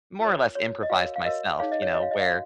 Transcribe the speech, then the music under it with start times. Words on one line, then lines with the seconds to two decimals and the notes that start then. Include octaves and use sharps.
more or less improvised myself, you know, where
0.20 F4 A#4 C#5
0.55 F#4 C#5
0.83 D#5
0.90 F#4 A#4 C#5 F5
1.16 F5
1.24 F#4 A#4 C#5 D#5
1.60 D#4 G#4 C#5 F5
1.72 D#5
1.82 C#5
1.94 F#4 C#5 D#5
2.02 F5
2.11 D#5
2.21 F5
2.30 F#4